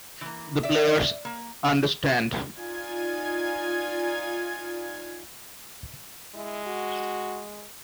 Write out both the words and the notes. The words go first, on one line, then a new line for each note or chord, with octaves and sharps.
The players understand.
E3 A#3
D5 E5
A#3
D#4 F4 D5 F5 G#5 G#6
G#3 E4
F#4